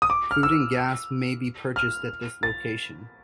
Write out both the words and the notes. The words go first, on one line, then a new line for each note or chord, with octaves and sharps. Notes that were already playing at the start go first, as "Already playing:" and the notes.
Food and gas may be purchased at this location.
D#6
D6
F6
E6
F6
A6